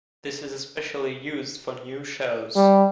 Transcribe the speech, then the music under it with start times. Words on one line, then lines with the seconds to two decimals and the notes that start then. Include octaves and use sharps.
This is especially used for new shows.
2.56 G3